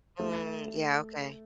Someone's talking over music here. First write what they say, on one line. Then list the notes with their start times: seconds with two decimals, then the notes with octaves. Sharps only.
Mm, yeah, okay.
0.20 A3